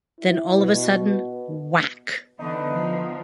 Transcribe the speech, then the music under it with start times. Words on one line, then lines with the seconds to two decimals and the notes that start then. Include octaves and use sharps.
Then, all of a sudden, whack!
0.20 E4
0.57 B2
2.39 D3 E3 B3 D#4
2.71 F3